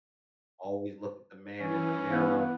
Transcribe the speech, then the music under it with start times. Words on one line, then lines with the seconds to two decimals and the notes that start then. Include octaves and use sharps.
"Always look at the man in the mirror,"
1.60 E3 C#4
2.11 B3 F5